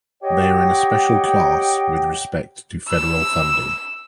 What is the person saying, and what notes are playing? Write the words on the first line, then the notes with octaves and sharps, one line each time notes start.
They are in a special class with respect to federal funding.
G4 C#5 D#5 F#5 G5
E6